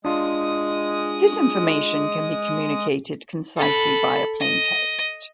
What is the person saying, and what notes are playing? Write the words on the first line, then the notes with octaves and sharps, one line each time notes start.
This information can be communicated concisely via plaintext.
G#3 D4 F4 D#6
A4 B5
D#5